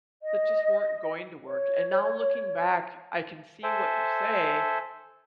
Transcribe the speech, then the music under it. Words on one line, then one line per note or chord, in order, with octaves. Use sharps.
that just weren't going to work, and now looking back, I can see what you say,
D#5
C#5
A4 C5 E5 G#5